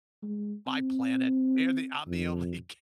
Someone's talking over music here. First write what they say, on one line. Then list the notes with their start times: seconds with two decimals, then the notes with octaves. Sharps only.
my planet, they're the I'm the only
0.23 G#3
0.67 C4
2.07 F2